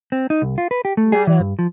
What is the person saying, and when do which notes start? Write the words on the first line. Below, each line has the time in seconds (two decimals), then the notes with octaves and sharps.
not a
0.12 C4
0.30 D#4
0.42 C2
0.58 F4
0.71 B4
0.85 G4
0.97 A3
1.12 G#4
1.27 E3
1.39 G2
1.59 F3